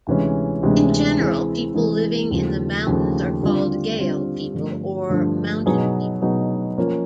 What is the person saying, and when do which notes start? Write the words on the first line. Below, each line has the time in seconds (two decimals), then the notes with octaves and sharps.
In general people living in the mountains are called gayo people or mountain people.
0.07 D2 C3 E3 G#3 C#4
0.63 D2 C3 E3 G#3 C#4
1.19 E3 G#3 C4 E4 G#4
1.74 E3 G#3 C4 E4 G#4
2.31 D#2 C#3 F3 A3
2.86 D#2 C#3 F3 A3
3.43 D3 G3 C4 F4
3.98 D3 G3 C4 F4
4.54 G2 D3 F3 A3
5.09 G2 D3 F3 A3
5.66 B2 F#3 B3 D#4 G#4
6.22 B2 F#3 B3 D#4 G#4
6.78 F3 A#3 C#4 F4 A#4